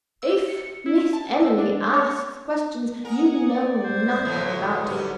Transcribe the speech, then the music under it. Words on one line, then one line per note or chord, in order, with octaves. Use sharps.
'If Miss Emily asks questions--you know nothing about it.
E6
C#7
E4
A5
E6
D4
C#5
A#4 F#5 G#5 D#6
D5
A1 C5 E5 G#6
B2 D3 E3 F#3
G#2 G3 C#4 G4 B4 D5